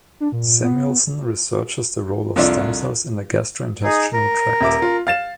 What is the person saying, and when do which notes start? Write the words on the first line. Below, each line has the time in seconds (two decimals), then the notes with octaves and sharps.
Samuelson researches the role of stem cells in the gastrointestinal tract.
0.20 D4
0.32 A#2
0.63 B3
2.36 C2 F2 D4 F4 D5 E5
3.83 D#4 G#4
4.13 A#4
4.61 D#1 E5 D6
4.82 F4
5.07 F5 A6 E7